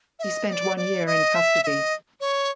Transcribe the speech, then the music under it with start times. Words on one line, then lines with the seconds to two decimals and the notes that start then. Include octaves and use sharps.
He spent one year in custody.
0.19 E5
0.23 D#5
0.48 D#5
0.53 D5
0.77 D5
1.06 D#5
1.35 E5
1.63 E5
1.67 D#5
2.20 C#5